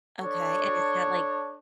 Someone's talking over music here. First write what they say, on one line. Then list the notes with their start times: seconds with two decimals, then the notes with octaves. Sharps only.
Okay, and is that, like,
0.21 D4 A4 C#5